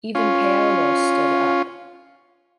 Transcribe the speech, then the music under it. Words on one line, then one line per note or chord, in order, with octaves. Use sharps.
Even Paolo stood up.
C#4 F4